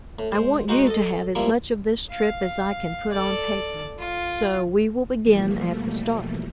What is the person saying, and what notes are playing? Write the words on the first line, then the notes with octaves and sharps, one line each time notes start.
I want you to have as much of this trip as I can put on paper, so we will begin at the start.
A2
G#3 C5
G#3 D#4 F#4 C5 D#5 F#5
A4 D#5
F3 G3 A#3 E4
F5
A4 D5
F4
B2 E3 F3 G3 A3 A#3